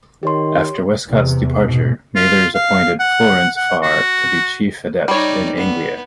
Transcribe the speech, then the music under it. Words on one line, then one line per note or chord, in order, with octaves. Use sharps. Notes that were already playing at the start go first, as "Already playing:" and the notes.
After Westcott's departure, Mathers appointed Florence Farr to be Chief Adept in Anglia.
D#3 G4 C#5 C6
E2 C3
G#2 B2
F4
F5
F#5
F#5
F#4
G3 D#4 C#5 D5
B3